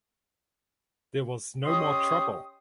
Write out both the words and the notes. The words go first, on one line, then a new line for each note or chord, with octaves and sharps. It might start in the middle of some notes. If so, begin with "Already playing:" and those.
There was no more trouble.
C#4 G4 D#5 C6 D#6